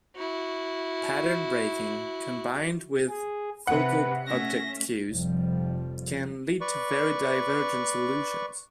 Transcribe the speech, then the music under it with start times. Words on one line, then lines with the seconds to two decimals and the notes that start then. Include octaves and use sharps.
Pattern-breaking, combined with focal object cues, can lead to very divergent solutions.
0.16 E4 F#4
3.09 G#4
3.67 C3 B4 F#5
4.26 A3 C#4 E5 A#6
5.11 F1 F2 F3 G3
6.61 B4 D5 C#6